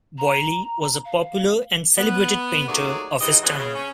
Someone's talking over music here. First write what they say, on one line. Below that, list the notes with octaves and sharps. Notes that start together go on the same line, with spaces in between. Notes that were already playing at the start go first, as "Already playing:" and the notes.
Boilly was a popular and celebrated painter of his time.
A#5
F5
B3
D#2 F#3 A3 G#4 C#5 D5
G#2 E3 G4 D#5
C#3 E3 F#3 G#3 A3 B3
C#3
C#4